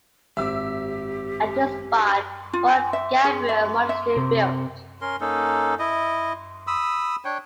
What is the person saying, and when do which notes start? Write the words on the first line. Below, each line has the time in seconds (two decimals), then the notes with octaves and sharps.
At this spot Mor Gabriel Monastery built.
0.37 G#1 C4 G4 E5 D6 E6
2.53 F4
2.68 G#5
2.93 E5
3.25 G#4
3.49 E5
3.89 E5
4.16 C3
5.01 C#4 A#4 C6
5.21 A#3 C#4 D#4 A4
5.79 E4 D#5
6.67 B5 D#6 E6
7.25 D4 C#5 G5